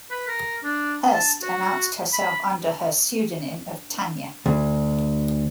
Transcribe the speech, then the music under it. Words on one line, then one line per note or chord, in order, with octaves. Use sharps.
Hearst announced herself under her pseudonym of "Tania".
B4
A#4
D4
A5
F#4
B5
D2